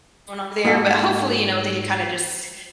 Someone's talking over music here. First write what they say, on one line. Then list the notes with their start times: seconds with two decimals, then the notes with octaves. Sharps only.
going on there, but hopefully, you know, they can kinda just
0.65 G#2 A#3 F#4 A4